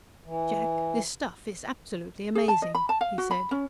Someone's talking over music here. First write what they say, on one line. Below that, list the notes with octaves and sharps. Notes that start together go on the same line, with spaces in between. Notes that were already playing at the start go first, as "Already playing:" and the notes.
"Jack, this stuff is absolutely amazing," he said.
E3
G#4
A5
D#5
B5
A5
F5
F#4
B5
C#4